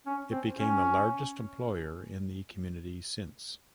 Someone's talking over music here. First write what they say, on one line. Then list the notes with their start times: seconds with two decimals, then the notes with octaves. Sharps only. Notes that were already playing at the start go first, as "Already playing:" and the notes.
It became the largest employer in the community since.
0.06 C#4
0.32 C4
0.57 C#4